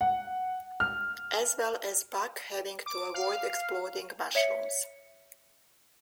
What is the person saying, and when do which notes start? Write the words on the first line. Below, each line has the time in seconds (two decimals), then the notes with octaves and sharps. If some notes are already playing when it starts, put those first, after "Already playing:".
As well as Buck having to avoid exploding mushrooms.
0.01 F#5
0.80 F6
2.86 D6
3.14 F5
4.35 C#5 E5 C#7